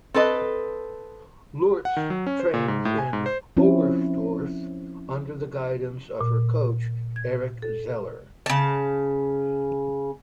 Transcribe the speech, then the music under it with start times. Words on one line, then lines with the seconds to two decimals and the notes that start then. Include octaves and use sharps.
Lurz trained in Oberstdorf under the guidance of her coach, Erich Zeller.
0.14 C4 A4 B4 D#5
1.85 F#5
1.97 D#3
2.10 F#3
2.26 C#4
2.40 C5
2.54 A#2
2.68 G#2
2.85 A2
2.98 G#5
3.13 G#2
3.26 C5
3.57 F3 C4 C#4 E4
6.21 A#2
7.16 G#6
7.62 A4
8.46 C#3 A5